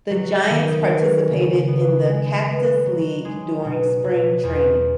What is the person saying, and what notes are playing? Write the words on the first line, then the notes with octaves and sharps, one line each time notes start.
The Giants participated in the Cactus League during spring training.
F#3
D#3
E3
C#3
B3
G#3
B3
F#3
G#3
B2
B2
E2